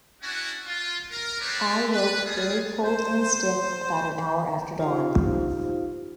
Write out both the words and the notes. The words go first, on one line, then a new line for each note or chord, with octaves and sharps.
I woke very cold and stiff about an hour after dawn.
C#4 D4 E4 F#4
F4
A#4
G3 A3 C4 B4 C#5 D5
B4
G3 F4 G#4
C5
D#4 F4 G4 C5 F5